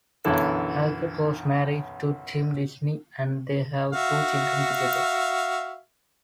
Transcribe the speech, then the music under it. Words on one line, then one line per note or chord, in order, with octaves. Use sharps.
Hackett was married to Tim Disney, and they have two children together.
B1 F#2 D3 E3 E4 A4
F#4 E5 F5